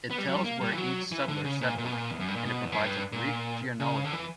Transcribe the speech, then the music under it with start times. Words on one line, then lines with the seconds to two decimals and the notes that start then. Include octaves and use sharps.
It tells where each settler settled, and it provides a brief genealogy.
0.10 B3
0.18 G3
0.28 F#3
0.35 G3
0.45 A#3
0.61 G3
0.71 E3
0.78 F#3
1.12 E3
1.28 D3
1.44 C#3
1.61 A#2
1.78 A#2
1.85 B2
1.92 A#2
2.11 E2
2.20 F#2
2.28 G2
2.36 A#2
2.45 B2
2.65 E2
2.72 F#2
2.79 G2
3.12 A#2
3.80 C#3
4.04 D3
4.13 E3